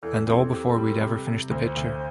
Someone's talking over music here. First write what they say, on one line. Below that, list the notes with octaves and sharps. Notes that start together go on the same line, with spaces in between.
And all before we'd ever finished the picture.
E2 A4
C4 A4
G4
G3
C3
C3
D2 C5
D2